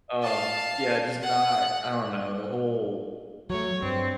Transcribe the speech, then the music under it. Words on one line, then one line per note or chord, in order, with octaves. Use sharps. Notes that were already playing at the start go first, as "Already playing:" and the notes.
um, yeah, just not I don't know, the whole
F5 A5
F#5
F#3 A3 C#5
G2 C4